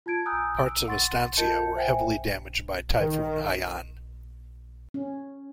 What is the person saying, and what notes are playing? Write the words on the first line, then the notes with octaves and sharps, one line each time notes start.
Parts of Estancia were heavily damaged by Typhoon Haiyan.
F4 A5 G#6 D7
G#5 A#5 D#6 E6 F#6 G6
E6 D7
F#5 C6 C#6 A6
F4 A#4 D#5 A5 G6 C#7
C5 E5 G5 G#5
D#3
C#4